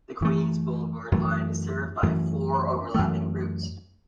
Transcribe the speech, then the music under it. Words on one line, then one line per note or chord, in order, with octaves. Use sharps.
The Queens Boulevard line is served by four overlapping routes.
F#2 E3 A3
F#2 E3 A3
F#2 E3 A3
F#2 E3 A3